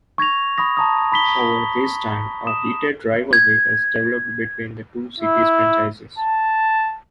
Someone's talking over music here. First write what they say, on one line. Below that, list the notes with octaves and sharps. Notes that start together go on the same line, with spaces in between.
Over this time, a heated rivalry has developed between the two cities' franchises.
C#6 G#6 A#6 F7
B5 C#6 D#6 A#6
A5 A#5 D#6
B5 B6 G7
D#6 E7
G#6
E4
A5